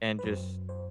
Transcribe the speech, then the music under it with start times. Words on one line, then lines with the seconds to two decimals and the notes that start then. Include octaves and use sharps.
and just
0.19 B4
0.23 F#2 F#3 C5
0.69 C5